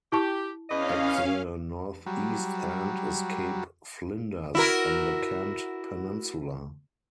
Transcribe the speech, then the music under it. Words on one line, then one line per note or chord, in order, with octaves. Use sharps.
At the northeast end is Cape Flinders on the Kent Peninsula.
E4 G4 A5 C#6
E2 C#4 B4 D#5 F5
F#3 G3
E4 F#4 A#4